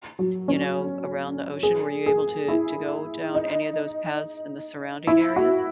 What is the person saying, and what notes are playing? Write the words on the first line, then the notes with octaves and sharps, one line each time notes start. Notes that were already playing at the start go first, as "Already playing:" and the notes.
you know, around the ocean, were you able to to go down any of those paths in the surrounding areas?
F#3
C#4
G#4
G#4
E4
D#4
E4
F#4